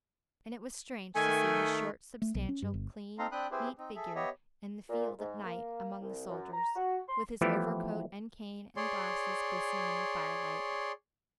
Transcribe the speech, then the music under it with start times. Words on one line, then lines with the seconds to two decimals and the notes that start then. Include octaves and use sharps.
And it was strange to see his short, substantial, clean, neat figure in the field at night among the soldiers, with his overcoat and cane and glasses glistening in the firelight.
1.14 D#3 A3 G#5
2.22 A3
2.35 B1
2.49 C#4
2.62 G2
2.74 G1
3.19 C4 D#4 A4 F5 A#5 C6
3.32 C4 D4 G5 B5 D#6 F#6
3.51 C4 E4 G4 G#4 B4 C5
3.78 C4 D#4
3.95 G#4 A4 E5
4.15 B3 G4 C#5 D#5 E5
4.90 A#2
5.19 G#2
5.44 A#3
6.01 C2
6.29 F#2
6.53 A#5
6.75 F#4
7.08 C6
7.41 E3 F3 A3 B3 E4 G4
8.76 G#4 C#5 D5 C6